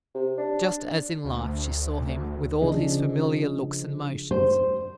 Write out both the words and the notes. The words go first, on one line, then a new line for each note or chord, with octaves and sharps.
Just as in life, she saw him, with all his familiar looks and motions.
C3
D4
D2
C#3 F3 D4 G#4 D#5
C5